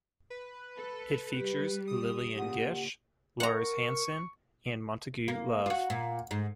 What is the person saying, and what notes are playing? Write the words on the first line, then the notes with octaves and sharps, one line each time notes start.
It features Lillian Gish, Lars Hanson and Montagu Love.
B4
A4
G3 G4
D#6
A#2 C#3 G4 F#5
A#4 F#5 A#5 C#6
A#3
F4 F#4
A#2
G#2